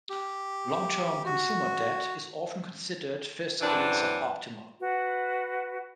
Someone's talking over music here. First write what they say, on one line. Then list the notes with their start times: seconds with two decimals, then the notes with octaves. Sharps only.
Long-term consumer debt is often considered fiscally suboptimal.
0.10 G4
1.25 F#4
3.60 F#2 C3 E3 D4
4.80 F#4 B4